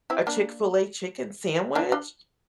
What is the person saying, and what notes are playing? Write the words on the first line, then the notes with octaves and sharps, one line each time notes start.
a Chick-fil-A chicken sandwich.
C4 E4
A#3 D4
A#3 D4
D4 F4